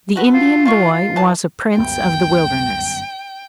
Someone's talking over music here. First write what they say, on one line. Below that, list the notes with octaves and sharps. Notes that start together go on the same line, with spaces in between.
The Indian boy was a prince of the wilderness.
A3 F#4 B4
F4
D#3 F4 F5 C#6
F4
E3 A5
G1 C#2 F#2 B3 G5